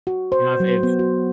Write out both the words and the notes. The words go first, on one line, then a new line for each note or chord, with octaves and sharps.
You know, if if
F#4
C5
F#3
B3
F#4